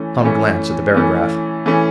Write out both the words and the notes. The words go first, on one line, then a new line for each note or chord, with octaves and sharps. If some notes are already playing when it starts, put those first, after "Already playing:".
Tom glanced at the barograph.
Already playing: E3 A3 C#4
E3 A3 C#4
E3 A3 C#4
E3 A3 C#4